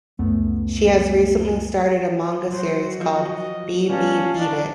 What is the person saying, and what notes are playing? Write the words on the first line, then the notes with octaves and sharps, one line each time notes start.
She has recently started a manga series called Bee-be-beat it!
C#2 F#2 A3 B3
F#3 F#4 C5
F3 D#5
G3 B3 C#4 F5 A5
D4 D#4 D#5